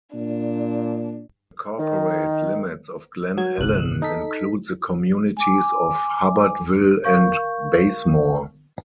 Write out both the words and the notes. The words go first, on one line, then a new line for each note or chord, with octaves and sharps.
The corporate limits of Glen Allen include the communities of Hubbertville and Bazemore.
A#2 D4
D#3
F#3 G#6
G1 C2 F#6
D#4 A4 B6
G#5 D6
A#4 F5 C#6 G6